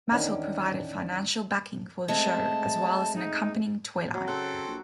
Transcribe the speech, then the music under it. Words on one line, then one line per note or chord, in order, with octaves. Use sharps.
Mattel provided financial backing for the show, as well as an accompanying toyline.
E2 D#3 C#4 D4 A5
G#3 A3 C4 A5
D#4
A1 F#3
C#3 C4 A4 F#5
A#1